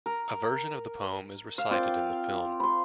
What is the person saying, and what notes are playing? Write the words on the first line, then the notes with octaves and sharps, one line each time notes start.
A version of the poem is recited in the film.
A#4
F5
C4 F4 D5 G5
B5 C6